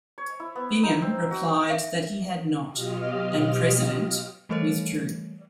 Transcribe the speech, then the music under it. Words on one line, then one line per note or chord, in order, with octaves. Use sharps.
Bingham replied he had not, and "President" withdrew.
C#5
E4
B3
D#4
C4
F#4
E5
B2 F#3 F4 G4 D#5 F6
E3 G3 A3 A4 A#4 C#5